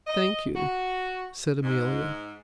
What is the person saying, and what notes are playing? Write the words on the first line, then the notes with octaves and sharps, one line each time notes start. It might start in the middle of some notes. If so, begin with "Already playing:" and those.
"Thank you," said Amelia.
D#5
F#4
G#2